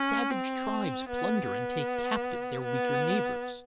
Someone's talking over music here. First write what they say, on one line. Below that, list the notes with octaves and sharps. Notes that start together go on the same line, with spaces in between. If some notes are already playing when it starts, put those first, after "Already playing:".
Savage tribes plunder and take captive their weaker neighbors.
Already playing: C#4
C4
B3
B3
B3